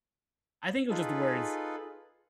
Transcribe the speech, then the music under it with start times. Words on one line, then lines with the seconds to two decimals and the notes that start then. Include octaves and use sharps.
I think it was just the words.
0.90 D#4 F4 G#4 A4 B4